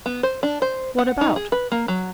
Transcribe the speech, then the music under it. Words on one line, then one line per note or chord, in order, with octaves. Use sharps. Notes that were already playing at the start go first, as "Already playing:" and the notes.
"What about?"
B3
C5
D4
C5
F#5
D#4
G#4
B4
A#3
F#3